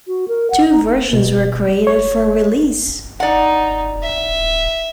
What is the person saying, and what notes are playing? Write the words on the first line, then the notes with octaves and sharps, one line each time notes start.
Two versions were created for release.
F#4
A#4
F#5
D#4
B2
C#5
D#4 D5 F#5
E5